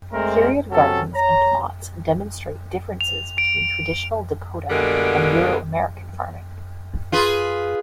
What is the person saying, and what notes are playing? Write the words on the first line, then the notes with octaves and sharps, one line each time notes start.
Period gardens and plots demonstrate differences between traditional Dakota and Euro-American farming.
G#3 A3 C4 A#4
C3 F#3 C#4 A4
C#5 A#5
F7
D7
B2 D3 G3 G#3 A#3
F4 G#4 B4